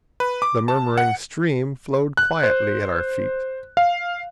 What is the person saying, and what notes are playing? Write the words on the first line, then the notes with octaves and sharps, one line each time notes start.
The murmuring stream flowed quietly at our feet.
B4
D6
A5
F#5
F#6
C5
F5